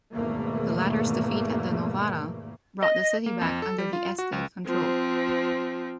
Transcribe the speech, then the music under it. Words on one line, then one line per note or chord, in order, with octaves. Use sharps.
The latter's defeat at the Novara brought the city back under the Este control.
G#1 E2 B2 A3 A#3
D#5
A#3
F2
A4
G3
F4
F#4
C#2
F3 C4